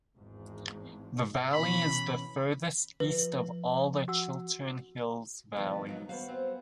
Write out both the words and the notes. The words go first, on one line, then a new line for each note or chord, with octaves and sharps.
The Valley is the furthest east of all the Chiltern Hills valleys.
G#1 E2 G#2
B2 E3 C#4 B5
F3 B4 E5
F#4 F#5 E6
G#2 B2 D#3 F3 B3
B2 F#3 D#4
B3 F#4 C5 F5
F#3 C4